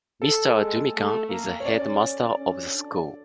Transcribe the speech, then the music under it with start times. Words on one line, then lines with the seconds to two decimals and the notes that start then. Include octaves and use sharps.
Mr Dumican is the headmaster of the school.
0.22 A4
0.57 G#3
0.93 A3
1.29 A#3
1.60 C#5
1.65 C#4 D5
2.37 C#4
2.74 D4